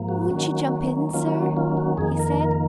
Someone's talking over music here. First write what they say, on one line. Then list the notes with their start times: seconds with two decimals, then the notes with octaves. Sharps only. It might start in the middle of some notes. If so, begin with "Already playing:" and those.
"Won't you jump in, sir?" he said.
Already playing: G#2 F3 A#3
0.09 F#4
0.30 D#3 F#3 A#3 C#4
1.13 D#3 F#3 A#3 C#4 F4
1.35 F#4
1.57 F4
1.77 F#4
1.97 F2 D#3 A#3 G#4
2.20 A#4
2.41 A#4